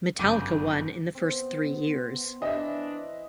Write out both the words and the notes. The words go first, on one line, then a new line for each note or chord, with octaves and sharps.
Metallica won in the first three years.
G1 F#2 C#3 G5 D6 D#7
B3 C4
E3 D4 D#5 E5